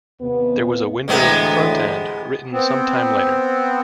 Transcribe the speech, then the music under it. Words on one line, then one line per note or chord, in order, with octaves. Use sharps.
There was a windows front-end written sometime later.
D#2 C3 B3
D2 A2 C3 E3 G#3 B3
B3 C4